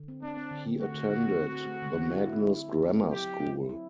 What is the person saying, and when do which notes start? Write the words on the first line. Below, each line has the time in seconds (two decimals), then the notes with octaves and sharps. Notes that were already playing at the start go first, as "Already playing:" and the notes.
He attended the Magnus Grammar School.
Already playing: D3
0.08 C4
0.22 C4 D4
0.37 C4
0.51 D3
0.66 D3
0.80 A3 F#4
0.94 D3
1.09 D3
1.23 C4
1.39 C4
1.52 C4
1.67 A3
1.82 D3
1.95 C4
2.10 E4
2.24 E4
2.39 E4
2.53 E4
2.69 G4
2.83 C4
2.97 C4
3.11 F#3 G4
3.25 F#3
3.40 C4
3.54 E4
3.69 E4